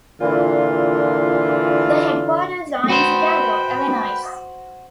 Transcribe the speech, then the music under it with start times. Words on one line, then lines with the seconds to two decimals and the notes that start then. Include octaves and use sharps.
The headquarters are in Chicago, Illinois.
0.21 A#2 D3 E3 F4
2.89 F#4 B4 C5 G5 B5